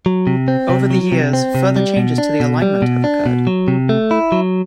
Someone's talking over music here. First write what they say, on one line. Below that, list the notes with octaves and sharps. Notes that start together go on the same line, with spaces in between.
Over the years further changes to the alignment have occurred.
F#3
C3
C4
C3
F#3
C3
C4
C3
G3
B2
D4
B2
G3
B2
D4
B2
F#3
C3
A3
E4
F#3